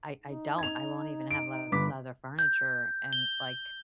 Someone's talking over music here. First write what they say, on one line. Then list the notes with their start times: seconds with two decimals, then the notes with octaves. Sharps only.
I I don't I won't even have le leather furniture and like,
0.23 D#4
0.58 G#6 F7
1.31 D7
1.72 G1 B4 D6 B6
2.39 G6
3.13 G7